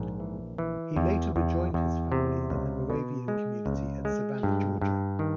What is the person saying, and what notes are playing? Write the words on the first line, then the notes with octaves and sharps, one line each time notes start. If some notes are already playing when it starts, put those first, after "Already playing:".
He later rejoined his family in the Moravian community at Savannah, Georgia.
Already playing: A#1 G#2
E3
E3
E2
E2
E2
C3
C#2
B2
G#3
C#2
G#3
G2
G2
D#3